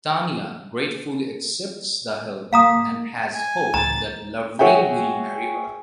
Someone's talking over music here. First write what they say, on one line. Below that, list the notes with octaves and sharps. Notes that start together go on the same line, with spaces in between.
Tania gratefully accepts the help and has hope that Lavrin will marry her.
A#3 F5 A#5 D#6
G#5
C#2 A2 E3 A#5 A6
F#4 G#4 C#5 E5 F#5 G5